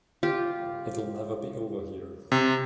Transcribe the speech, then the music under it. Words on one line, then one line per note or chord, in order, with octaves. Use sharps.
It'll never be over here.
F4 G4
C3